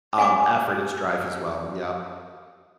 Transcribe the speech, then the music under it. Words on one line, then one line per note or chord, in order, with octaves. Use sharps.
um, effort and strife as well. Yep.
F5 G#5 C#6 D6